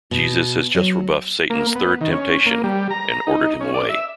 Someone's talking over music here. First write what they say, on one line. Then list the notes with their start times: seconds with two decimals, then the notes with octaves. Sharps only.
Jesus has just rebuffed Satan's third temptation and ordered him away.
0.11 B2
0.75 F#3
1.50 A#3
1.75 B3
2.01 D#3
2.12 C#4
2.46 A#3
2.64 G3
2.91 A#5
3.27 D#4
3.61 C#4
3.74 D5
3.89 E5